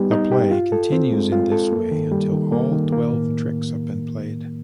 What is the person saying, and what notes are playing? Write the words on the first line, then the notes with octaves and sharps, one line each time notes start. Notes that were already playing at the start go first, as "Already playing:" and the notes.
The play continues in this way until all twelve tricks have been played.
Already playing: G3 B3 D#4 G4
D#4
G4
F4
A4
C4
G#3
F4
A4
A#3
D#3
G3
D#3
A#3
D#3
A#3
A2